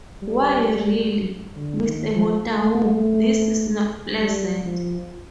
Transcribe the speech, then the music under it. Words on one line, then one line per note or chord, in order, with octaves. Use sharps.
Why really, Mr. Montagu, this is not pleasant!
G3
D3
D#3
F3
A3
G3
F3